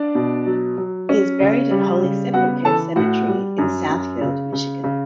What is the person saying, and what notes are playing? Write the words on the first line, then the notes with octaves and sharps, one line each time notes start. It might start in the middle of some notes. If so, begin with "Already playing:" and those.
He is buried at Holy Sepulchre Cemetery in Southfield, Michigan.
Already playing: D4 D5
B2
F#3
F#3
C#4
C#3
G3
C#3
B3 F#4 F#5
E3 A4 A5
A2 F#4 F#5
G3
F#2
F#2
C#3
C#3
C#3